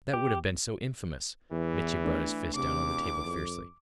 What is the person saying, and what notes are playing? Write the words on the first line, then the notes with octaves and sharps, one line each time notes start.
"But that would have been so infamous!" Mitya brought his fist down on the table fiercely.
G4
E2 E3
A3 D4
E2 C3 D6
F2